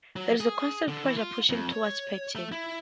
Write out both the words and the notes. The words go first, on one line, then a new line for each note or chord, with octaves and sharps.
There's a constant pressure, pushing toward pattern.
F#3
G#4
D3
E3
F4
F2
C#5
A3
E4